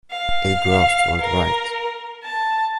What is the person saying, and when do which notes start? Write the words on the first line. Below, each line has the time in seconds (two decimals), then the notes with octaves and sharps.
It grossed worldwide.
0.11 F5
1.21 A#4
2.24 A5